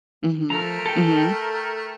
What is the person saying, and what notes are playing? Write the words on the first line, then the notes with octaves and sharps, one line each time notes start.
Mhm. Mhm.
F3 A3 A#4 A#5
A4 G5